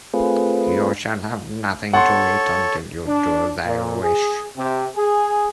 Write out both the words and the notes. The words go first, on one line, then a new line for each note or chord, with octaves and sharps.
You shall have nothing to eat until you do as I wish.
A3 C4 F4 G#4 B4
A4 C#5 F#5 C6
D4
A#2
G#4
C3
G#4